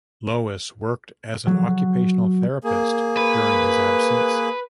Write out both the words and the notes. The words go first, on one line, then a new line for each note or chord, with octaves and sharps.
Lois worked as an occupational therapist during his absence.
F#3
A#3 G#4
B4